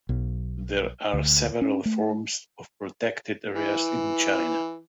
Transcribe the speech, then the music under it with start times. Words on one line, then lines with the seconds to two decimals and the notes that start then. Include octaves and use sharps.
There are several forms of protected areas in China.
0.09 B1
1.13 D2
1.62 C#4
1.85 A3
3.54 E3